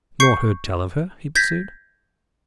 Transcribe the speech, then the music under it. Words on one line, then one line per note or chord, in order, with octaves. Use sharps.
"Nor heard tell of her?" he pursued.
C#6 G6 C7 C#7
G6 G#6 A#6 B6